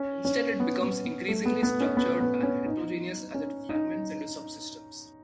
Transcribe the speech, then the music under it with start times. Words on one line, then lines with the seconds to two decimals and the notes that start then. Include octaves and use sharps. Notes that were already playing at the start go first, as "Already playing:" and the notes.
Instead it becomes increasingly structured and heterogeneous as it fragments into subsystems.
Already playing: C#4
0.25 C#4
0.60 B3
0.82 B3
1.05 B3
1.28 A3
1.46 B3
1.63 B3
1.80 C#4
1.97 B3
2.20 B3
2.43 C#4
2.66 D#4
3.34 C#4
3.69 D#4